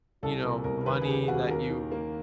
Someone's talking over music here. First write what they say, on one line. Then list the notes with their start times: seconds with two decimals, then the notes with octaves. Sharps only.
you know, money that you
0.23 C2 A4
0.43 C3 A#4
0.64 C2 A#4
0.81 A#4
0.85 D#2 B4
1.02 G#4
1.07 C#3 G4
1.28 D#2 F#4
1.49 D#2 A#4
1.70 D#3
1.91 A#3